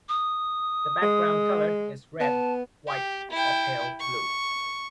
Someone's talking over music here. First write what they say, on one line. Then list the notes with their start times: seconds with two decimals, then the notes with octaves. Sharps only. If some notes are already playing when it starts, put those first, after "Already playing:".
The background color is red, white or pale blue.
0.09 D#6
1.02 G#3
2.20 B3 A5
2.88 G4
3.32 E4 G5
3.99 C#6